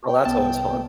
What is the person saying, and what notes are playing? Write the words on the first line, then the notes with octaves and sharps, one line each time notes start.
Well, that's always fun.
G5
C2 B3 A5